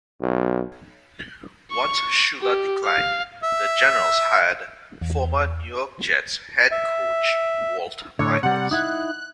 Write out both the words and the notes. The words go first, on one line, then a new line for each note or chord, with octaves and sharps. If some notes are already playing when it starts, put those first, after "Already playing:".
Once Shula declined, the Generals hired former New York Jets head coach Walt Michaels.
B1
C#6
G4
F5
E5
E2
E5
A2 D3 C#5
C3 G3 F#5
D#4 E4 F#5 F#6